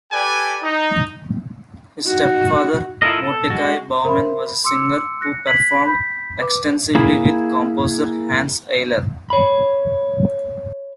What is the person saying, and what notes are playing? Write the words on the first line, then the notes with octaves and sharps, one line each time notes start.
His stepfather Mordecai Bauman was a singer who performed extensively with composer Hanns Eisler.
G4 A4 B4 D5 G5 G#5
D#4
D#4 F#4
E4 F4 A4 A#4 D#5
A4
G#3 F#4
A#4 C5 E5 F5 B5 C6
C6 D6 E6 C#7
F#6 A#6 C#7
F#6 G#6 B6 F#7
B5 G6 B6
B4 D6
A#3 E4 G#4
C#5 B5